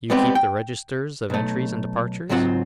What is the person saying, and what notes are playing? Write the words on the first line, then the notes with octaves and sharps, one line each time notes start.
"You keep the registers of entries and departures?"
G3 G#3 B3 C4 G4
G5
B1 A3
C#2 G#2 F#3 C4 F4 F#5